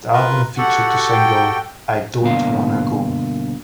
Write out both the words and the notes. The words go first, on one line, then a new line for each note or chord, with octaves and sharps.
The album featured the single "I Don't Wanna Go".
F4 A#4 B4
F#4 G4 A4 F#5
G5
G2 B2 D3 A#3 F5